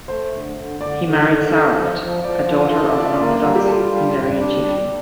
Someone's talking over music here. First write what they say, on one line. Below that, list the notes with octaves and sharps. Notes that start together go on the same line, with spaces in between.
He married Sarolt, a daughter of an Orthodox Hungarian chieftain.
A3 C5
D3
D3
D3 D5
D3
D3
A4
F3
F3
F3 D5
F4
A4
F4 D5
E5
D5
A#3
G3
G4
F4 A4
G3
G3
D4
G3